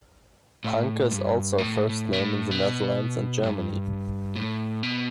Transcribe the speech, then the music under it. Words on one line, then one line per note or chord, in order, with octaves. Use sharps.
Hanke is also a first name in the Netherlands and Germany.
A2
G2
A2
A2
B2
A2
B2
G2
A2
B2